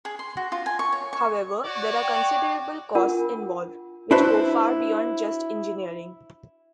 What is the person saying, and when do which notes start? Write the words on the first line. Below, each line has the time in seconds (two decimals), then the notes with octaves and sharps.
However, there are considerable costs involved, which go far beyond just engineering.
0.05 G#4
0.19 C6
0.37 F#4
0.52 F4
0.66 G#5
0.79 C#6
0.93 C#5
1.13 C#6
1.63 F#4 C#5 D5
2.03 G5
2.95 D4 F4 A#4 F#5
4.11 D4 E4 F#4 B4 C5 E5